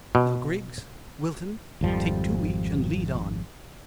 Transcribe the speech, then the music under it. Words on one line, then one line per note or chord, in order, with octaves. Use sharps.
Now, Griggs--Wilton; take two each, and lead on.
B2
G#1 F2 F3 G3